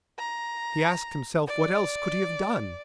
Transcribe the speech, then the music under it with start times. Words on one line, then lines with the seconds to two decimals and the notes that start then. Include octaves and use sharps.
He asked himself what else could he have done.
0.19 A#5
1.47 D5